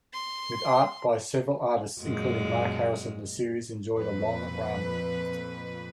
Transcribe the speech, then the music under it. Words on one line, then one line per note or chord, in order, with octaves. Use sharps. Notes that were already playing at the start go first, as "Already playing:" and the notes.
With art by several artists including Mark Harrison, the series enjoyed a long run.
C6
F#2 A#2 G#3
F2 A#2 B4